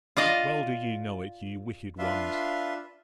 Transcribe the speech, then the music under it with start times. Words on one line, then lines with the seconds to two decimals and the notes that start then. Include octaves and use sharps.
Well do ye know it, ye Wicked Ones.
0.17 F4 D5 D#5 F5
1.99 D4 F4 B4 E5 F5 C6